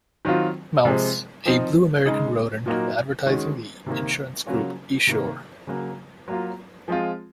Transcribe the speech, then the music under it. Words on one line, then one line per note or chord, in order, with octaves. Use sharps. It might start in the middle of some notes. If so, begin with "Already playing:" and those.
Mouse, a blue American rodent advertising the insurance group esure.
D#3 F#3 C4 F4
C3 F3 G#3 C4
F3 C4 D#4
C#3 G#3 D#4
A#2 F#3 A#3 D#4 F#4
D#3 G#3 C#4 F#4
C3 D#3 A#3
C#3 F#3 A#3 C#4 F4
C3 D#3 A#3
C#3 F#3 A#3
F#3 A#3 F4
F3 G#3 C4 F4